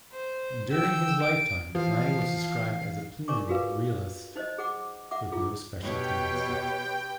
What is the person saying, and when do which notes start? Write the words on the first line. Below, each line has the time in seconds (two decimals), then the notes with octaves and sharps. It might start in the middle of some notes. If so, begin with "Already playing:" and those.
During his lifetime, Lange was described as a pleasing realist with no special tendency.
0.12 C5
0.70 G5 E6
1.22 D7
1.75 E3 F3 F5
3.28 A#4 C#5 D5 G#5 C#6 D6
3.48 F4 F#4 G#4 A#4 B4 F5
4.36 D#4 C5 C#5 D#5
4.58 G#4 F#5 D6
5.11 E5 F#5 D6
5.32 E4 F4 G#4
5.82 B2 G4 B4 C#5 G5